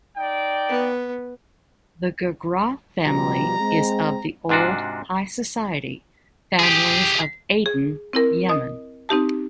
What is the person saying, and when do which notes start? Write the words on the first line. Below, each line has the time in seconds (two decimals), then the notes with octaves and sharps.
The Girgrah family is of the old, high society, families of Aden, Yemen.
0.16 D#4 D5 G5
0.69 B3
3.04 B2 F3 G3 A#5
3.59 G#3 C4
4.49 G#2 C3 D4 F4 F#4
6.59 G4 G#4
7.66 G#4
8.13 C4 E4 A#4
8.49 D#5 D#6
9.09 C4 D#4 G4 A5